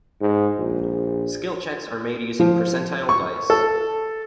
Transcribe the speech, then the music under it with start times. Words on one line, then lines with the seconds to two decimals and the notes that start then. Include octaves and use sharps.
Skill checks are made using percentile dice.
0.21 G#2
0.59 A#1
2.40 F3
3.09 C#6
3.50 A4